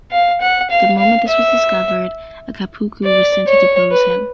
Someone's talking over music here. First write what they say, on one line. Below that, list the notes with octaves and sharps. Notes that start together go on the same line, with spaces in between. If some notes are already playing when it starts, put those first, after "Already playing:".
The moment this was discovered, a kapucu was sent to depose him.
F5
F#5
F5
F5
E5
D5
C#5
B4